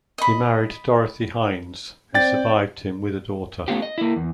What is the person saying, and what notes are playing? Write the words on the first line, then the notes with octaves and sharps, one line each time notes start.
He married Dorothy Hines who survived him with a daughter.
D#5 B5
C4 D5 G5 A6
A3 B3 C#4 F4 G4
D#5
A#3 E4
E2